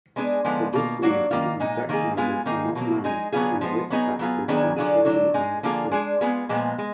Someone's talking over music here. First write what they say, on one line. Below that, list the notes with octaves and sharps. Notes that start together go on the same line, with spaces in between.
For this reason exact numbers are not known, and risk factors are poorly understood.
G#3 B3 D4 G#4
D3 F3 G#3 B3 D#4
B2 A#3 F4
F#3 A#3 D4 F#4
D#3 A#3 F4
A#2 G#3 D#4
D#3 A#3 D#4 G#4
G#3 B3 F4 G#4
D#3 A#3 D#4 G#4
B2 F#3 A#3
G#3 D#4 G#4
D3 F#3 B3 F4 G#4
F3 G#3 B3
F#3 B3 D#4 G#4
F#3 B3 F4 G#4
D#3 F#3 B3 D4 G#4
D3 F#3 D4 F4 G#4
D3 F#3 D4
G#3 D#4 G#4
D3 F3 A#3 F4 G#4
G#3 D4 G#4
G#3 B3 F4 G#4
A#2 F3 G#3 B3
G#3